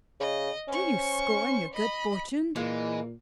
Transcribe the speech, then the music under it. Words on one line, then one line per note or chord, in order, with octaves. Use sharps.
Do you scorn your good fortune?
C#3 D#5
C#4 C5 C#6
D#5 B5
A#2 E3 G#3 A#3 F4